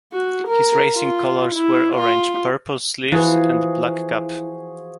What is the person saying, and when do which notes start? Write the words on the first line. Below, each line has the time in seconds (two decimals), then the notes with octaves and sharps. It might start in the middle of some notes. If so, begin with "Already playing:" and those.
His racing colours were orange, purple sleeves, and black cap.
0.13 F#4
0.48 A#4
0.97 F4
1.55 E4
1.95 F4
3.12 E3 F3 E4 F#4 G#4 B4